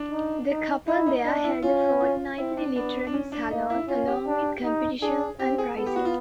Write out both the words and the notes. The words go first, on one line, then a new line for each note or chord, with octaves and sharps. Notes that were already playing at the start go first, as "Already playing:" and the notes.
The couple there held a fortnightly literary salon along with competitions and prizes.
Already playing: D4
D#4
D#4
D#4 E4
D#4
D4 D#4
E4
C#4 F4
F4
C4 E4
D4
B3 D4
D4
C#4
D4
A#3 D#4
E4
C#4 F4
G4
D4
D#4
D4 G#4
C4 G4
G#4
B3 A4
G4
F#4
F4